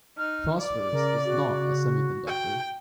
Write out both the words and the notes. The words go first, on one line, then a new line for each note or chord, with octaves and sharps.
Phosphorus is not a semiconductor.
D#4 F6
D5 D6
C#3 A#4
F#4
G5